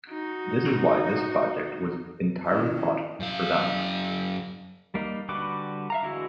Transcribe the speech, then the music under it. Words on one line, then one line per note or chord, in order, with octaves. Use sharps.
This is why this project was entirely thought for them.
D#4 F#4
D#3 C#4 E4
F#2 F5
G3 A#3 D#4
D3 G3 F#4 B4 D6
E5 F5 A#5
D3 E3 G#3 E4 F#4